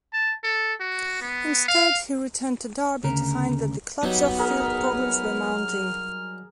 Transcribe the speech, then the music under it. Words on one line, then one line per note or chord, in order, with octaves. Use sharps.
Instead he returned to Derby to find that the club's off-field problems were mounting.
A5
A4
F#4
B3
F5
D2 C#3 A#4
F#3 G3 B3 D#4
G#4 A#4 F6